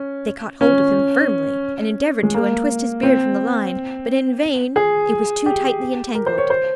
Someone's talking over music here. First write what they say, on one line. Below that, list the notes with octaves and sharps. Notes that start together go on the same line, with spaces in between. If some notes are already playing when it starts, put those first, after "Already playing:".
They caught hold of him firmly, and endeavoured to untwist his beard from the line, but in vain; it was too tightly entangled.
Already playing: C#4
C#4
G#3
A#3
C4
G#4
G4
A#4
C5
C#5
C5